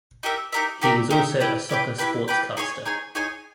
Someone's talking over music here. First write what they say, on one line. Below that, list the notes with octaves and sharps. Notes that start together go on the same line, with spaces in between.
He was also a soccer sportscaster.
D#4 G4 A#4 E5
D#4 G4 A#4 E5
D#4 G4 A#4 E5
D#4 G4 A#4 E5
E4 G4 B4 G5
E4 G4 B4 G5
E4 G4 B4 G5
E4 G4 B4 G5
D#4 G#4 C#5 G#5
D#4 G#4 C#5 G#5
D#4 G#4 C#5 G#5